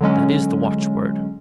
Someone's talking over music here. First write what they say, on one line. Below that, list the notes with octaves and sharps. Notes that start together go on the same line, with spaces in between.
That is the watch-word.
D3 F#3 G#3 C#4